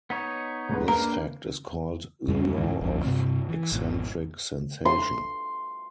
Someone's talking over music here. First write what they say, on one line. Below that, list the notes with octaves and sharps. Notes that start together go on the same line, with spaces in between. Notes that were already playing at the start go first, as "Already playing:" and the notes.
This fact is called the law of eccentric sensation.
B3 D#4 C#5
C#2 G#2 B4
A#3 D4 A#4 B4 A#5
F2 G3 G#3 C#4
D2 G#2 E3
D#1 A#1 F2
G2 C3 C4
E3
G#1 B2
C6